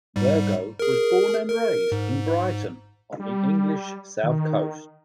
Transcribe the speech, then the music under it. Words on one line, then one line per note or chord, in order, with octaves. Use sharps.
Virgo was born and raised in Brighton, on the English South Coast.
G#2 G3
G#4 A#4
A#4
G#2
G3
D#3